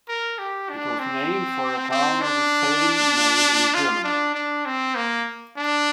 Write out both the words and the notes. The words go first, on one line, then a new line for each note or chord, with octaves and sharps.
It was named for a town of the same name in Germany.
A#4
G4
D4
C4
C4
D4
F4
D4
D4
C4
A#3
D4